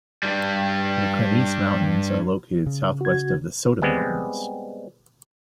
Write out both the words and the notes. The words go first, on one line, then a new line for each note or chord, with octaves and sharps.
The Cronese Mountains are located southwest of the Soda Mountains.
G2 G3
C#3
F#4 G#6
G3 G#3 B3 C4